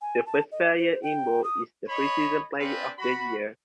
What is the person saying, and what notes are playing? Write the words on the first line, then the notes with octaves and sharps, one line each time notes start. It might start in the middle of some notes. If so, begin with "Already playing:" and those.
The first player in bold is the preseason player of the year.
G#5
A5
D#5
C5
G5
D#6
C#5 D#5 B5
C4 D4 F4 G#4 B4
F#4 B5